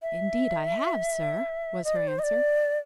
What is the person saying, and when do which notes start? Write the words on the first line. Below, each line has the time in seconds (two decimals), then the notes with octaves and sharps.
"Indeed I have, sir," was her answer.
0.02 E5
1.84 D#5
1.96 D5
2.08 C5
2.19 D#5
2.23 D5